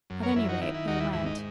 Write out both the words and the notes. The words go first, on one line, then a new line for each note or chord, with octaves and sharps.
At any rate, they went.
F#2
A#4 C#5
F#2 E4
D#4 F#4
D#3 E4
E4
D#2 D#4 F#4
E4
G#2 E4
D#4